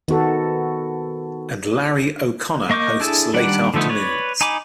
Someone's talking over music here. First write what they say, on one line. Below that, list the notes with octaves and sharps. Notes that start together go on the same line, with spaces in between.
And Larry O'Connor hosts late afternoons.
D#3 B3 F#4 A4
A#3 D#5 C#6 D6 G6
D4 E4 G#4 A4
D#3 G3 D4 D5 F#5
D3 F3 A3 B3 D#4
B4 C#5 D5
D#4 G#5 B5 D6